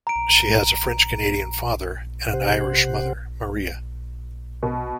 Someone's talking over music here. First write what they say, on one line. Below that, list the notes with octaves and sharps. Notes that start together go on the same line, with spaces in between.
She has a French-Canadian father and an Irish mother, Maria.
A#5 D7
C3 G4 C5 F#5
B2